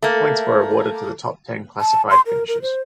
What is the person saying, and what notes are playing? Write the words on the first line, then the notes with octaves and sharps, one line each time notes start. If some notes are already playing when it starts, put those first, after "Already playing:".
Points were awarded to the top ten classified finishers.
A3 A#3
A5
C6
A#4
A#4
C5